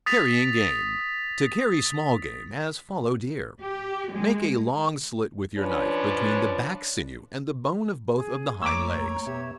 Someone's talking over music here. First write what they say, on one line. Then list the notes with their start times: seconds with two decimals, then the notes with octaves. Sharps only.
Carrying Game.--To carry small Game, as Fallow Deer.--Make a long slit with your knife between the back sinew and the bone of both of the hind-legs.
0.06 D#6 A6 B6 F7
3.63 G4
4.11 G#3
5.58 F3 C#4 D4 B4 C#5
8.15 G#4
8.62 F2 A3 A#3 C#5 A#5 D6 E6
9.27 B2 B3 G4 E5